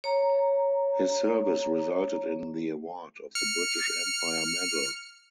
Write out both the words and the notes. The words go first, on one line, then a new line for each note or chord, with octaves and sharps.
His service resulted in the award of the British Empire Medal.
C#5 A#5
F6 C#7